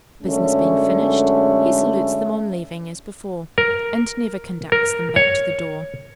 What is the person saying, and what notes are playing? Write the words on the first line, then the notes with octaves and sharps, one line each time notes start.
The business being finished, he salutes them on leaving, as before, and never conducts them back to the door.
F#2 D3 G#3 A3 C#4
A#4
A#4
C#5